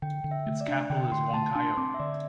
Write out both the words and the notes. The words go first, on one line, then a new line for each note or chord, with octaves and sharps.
Its capital is Huancayo.
D3 G5
D3
E5
A3
D5
D4
D3 G5
D3 C6
A3 A5
D4 C6
C6
C4 D6
E5
D3 D5